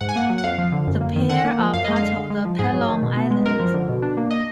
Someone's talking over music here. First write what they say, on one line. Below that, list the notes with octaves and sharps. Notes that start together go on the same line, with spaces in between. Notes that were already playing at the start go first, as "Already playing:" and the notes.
The pair are part of the Pelham Islands.
G#2 F#5
G#5
A#3 F#5
F#3
F#5
F2 F5
F3
D3
F#2
A#3
D#3
D3 F#5
A#3
F3
F#2 F5
G#3 D#5
F5
D3
D3
G#3
F3
G#2 G#4
F#3
D#3
B2
B3
G#3
F#2 A#4
F3
D3
B2
D4
A#3
D#5